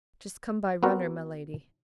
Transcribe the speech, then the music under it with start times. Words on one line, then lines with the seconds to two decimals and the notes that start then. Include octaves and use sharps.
"Just come by runner, my lady."
0.83 B3 C4 F#4 A#4